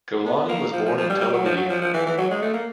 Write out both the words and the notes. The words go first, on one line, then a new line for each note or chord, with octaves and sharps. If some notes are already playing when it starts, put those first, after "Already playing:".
Golani was born in Tel Aviv.
B3
A#3
F3
F3
F3
G3
G3
F#3
F3
F#3
F3
F3
E3
E3
F#3
G#3
A3
A#3